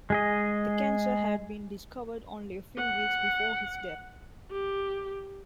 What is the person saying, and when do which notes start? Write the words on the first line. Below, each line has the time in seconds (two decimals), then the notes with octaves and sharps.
The cancer had been discovered only a few weeks before his death.
0.10 G#3 G#4 D#5
2.78 F#5
4.52 G4